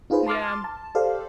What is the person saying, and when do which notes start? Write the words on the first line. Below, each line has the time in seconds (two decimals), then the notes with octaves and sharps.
Yeah, um
0.10 D#4 F4 G#4 B4 C5
0.27 A5 C6 D6 F6 A6
0.64 A5
0.95 G4 A4 C5 D5 F5